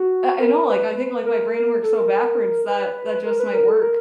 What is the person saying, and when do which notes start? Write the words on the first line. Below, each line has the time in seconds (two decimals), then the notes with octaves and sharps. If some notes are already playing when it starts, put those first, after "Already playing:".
Uh, I know, like, I think, like, my brain works so backwards, that that just might work.
Already playing: F#4
0.40 A#4
0.69 B4
1.26 A#4
1.83 A4
1.97 A#4
2.68 B4
3.25 A#4
3.40 B4
3.54 A#4
3.68 A4
3.82 A#4